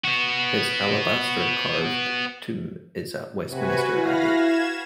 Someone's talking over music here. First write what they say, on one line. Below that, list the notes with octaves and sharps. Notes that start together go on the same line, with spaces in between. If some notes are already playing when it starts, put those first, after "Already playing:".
His alabaster-carved tomb is at Westminster Abbey.
B3 F#4
C3 F#4 B4 G#5
E4 F5 B5 A#6
G#6 E7